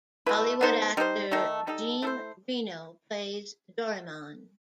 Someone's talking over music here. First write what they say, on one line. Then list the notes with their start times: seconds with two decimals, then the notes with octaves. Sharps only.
Hollywood actor Jean Reno plays Doraemon.
0.26 B2 A3 E4 B4
0.61 B3 D#4 A4 C5
0.97 G3 D#4 A4 C5
1.31 D#3 A3 D#4 A4
1.67 G3 D#4 A4
2.02 A3 E4 A4 C5